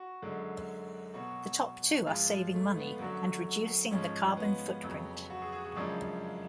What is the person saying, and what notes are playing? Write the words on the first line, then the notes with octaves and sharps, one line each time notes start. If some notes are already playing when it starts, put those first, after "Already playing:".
The top two are saving money, and reducing the carbon footprint.
Already playing: F#4
F#2 D3 G#3
B2 F#3 F#4
G#2 F3 G#3 F4
A3
B3
F#2 D3 F#3 F#4
G#2 F3 G#3 C#4
B3
F2 C#3 F#3
F#4
G#4
G#4
F#4
F#2 C#3 F3 G#3 D4